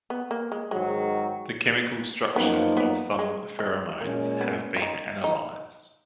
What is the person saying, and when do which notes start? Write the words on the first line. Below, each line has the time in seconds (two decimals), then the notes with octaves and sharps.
The chemical structures of some pheromones have been analysed.
0.10 B3
0.31 A#3
0.52 G#3
0.71 G#2 D#3 F#3 G#3
2.35 F#2 F3 A#3 B3 D#4
2.77 B3
3.19 G#3
3.59 G#3
4.00 A#2 G#3 A#3 C#4
4.41 B3
4.76 F4
4.82 D#4
5.24 D#4